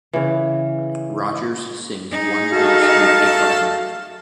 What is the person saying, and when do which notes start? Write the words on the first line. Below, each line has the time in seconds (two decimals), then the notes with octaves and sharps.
Rogers sings one verse in Pig Latin.
0.13 C#3 E3
2.11 D#4 G#4
2.52 A3 F#4 F5 A5